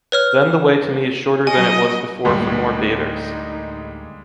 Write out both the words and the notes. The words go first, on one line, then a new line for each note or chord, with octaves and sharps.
Then the way to me is shorter than it was before for more bathers.
B4 C#5 F6
F#3 D#5 G#5
D2 A2 G3 G#3 A#3 D#4 G4 C6